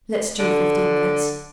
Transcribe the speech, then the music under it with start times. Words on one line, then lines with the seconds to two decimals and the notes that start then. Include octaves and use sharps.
Let stew fifteen minutes.
0.39 D3